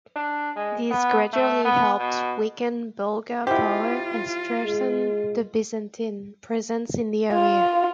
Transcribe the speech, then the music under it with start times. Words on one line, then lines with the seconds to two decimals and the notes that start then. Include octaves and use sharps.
These gradually helped weaken Bulgar power and strengthen the Byzantine presence in the area.
0.16 D4
0.56 G#3
0.91 B3
1.33 A3
1.65 B3
1.98 B2
3.47 B2 E4 F4 G4 C5
4.65 G#3
7.33 F4